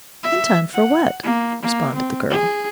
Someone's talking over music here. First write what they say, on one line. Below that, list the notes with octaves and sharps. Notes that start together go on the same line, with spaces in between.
"In time for what?" responded the girl.
E5
F#5
A#3
A#3
C4
G#4